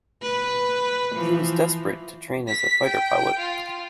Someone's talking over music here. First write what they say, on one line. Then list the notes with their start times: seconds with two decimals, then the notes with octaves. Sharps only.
She was desperate to train as a fighter pilot.
0.22 B4
1.15 E3 F3
2.48 B6
2.84 G5
3.39 F4